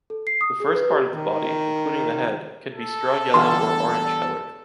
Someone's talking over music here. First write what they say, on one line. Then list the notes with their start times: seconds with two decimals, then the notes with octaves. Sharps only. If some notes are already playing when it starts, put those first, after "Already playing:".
The first part of the body, including the head, can be straw yellow or orange-coloured.
0.10 A4
0.27 C7
0.41 D#6
0.60 G#4
0.75 B4
0.89 G4
1.14 D#3
2.73 A4
3.34 E2 G2 D3 C6